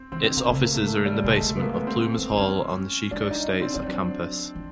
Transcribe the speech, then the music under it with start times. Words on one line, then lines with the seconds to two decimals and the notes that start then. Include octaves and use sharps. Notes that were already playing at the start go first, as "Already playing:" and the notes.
Its offices are in the basement of Plumas Hall on the Chico State campus.
Already playing: C4
0.12 E3 C4
0.19 C#3
0.24 D3 C4
0.37 D3 A#3
0.49 C#3 A3
0.62 A#3
0.74 A3
0.87 A3
1.06 G3
1.24 C3 G#3
1.36 A3
1.43 C#3
1.49 A3
1.57 B3
1.62 A#3
1.74 B3
1.87 C4
2.18 F#3
2.31 F3
2.37 F#3 C#4
3.11 G3 D4
3.31 D#4
3.49 D4
3.61 C4
3.74 F3 D4
3.86 F#3
4.55 F3